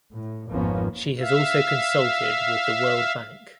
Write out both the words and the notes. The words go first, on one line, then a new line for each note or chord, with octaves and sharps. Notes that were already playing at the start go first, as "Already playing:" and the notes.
She has also consulted with the World Bank.
A2
G#1 F2 F3 A#3 B3 C#4
E5 F5